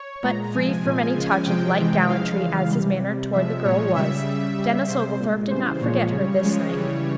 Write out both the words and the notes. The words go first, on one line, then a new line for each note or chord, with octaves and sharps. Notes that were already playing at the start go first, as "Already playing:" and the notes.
But free from any touch of light gallantry as his manner toward the girl was, Denis Oglethorpe did not forget her this night.
Already playing: C#5
A#2 G#3 A#5
C3 F3 G#3 G#5
A#2 F3 G#3
C#3 F3 G#3
C3 F3 G#3 G5
C3 E3 G#3
C#3 F3 G#3 F5
C#3 E3 G#3
C3 E3 G3
C3 G3
C3 F3 G#3 E5
A#2 F3 G#3 C#5
C#3 G3 E5
C#3 G3
C#3 G3 E5
C3 G3 C5
A#2 G#3
C#3 E3 G3 C5
A#2 F3 G#3 C#5
C#3 G3
C#3 F3 G#3
C#3 E3 G3